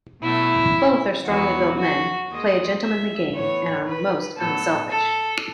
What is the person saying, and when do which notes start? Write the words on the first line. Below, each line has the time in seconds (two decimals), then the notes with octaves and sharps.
Both are strongly-built men, play a gentlemanly game, and are most unselfish.
0.21 B2 F#3 A3 E4
1.25 E2 D#3 F#3 B3 F#4
1.78 F#4
2.29 D#2 D#3 G#3 D#5
2.81 E5
3.33 A2 E3 B3 C#5
3.86 B4
4.37 A2 F#3 B3 A4
4.89 A4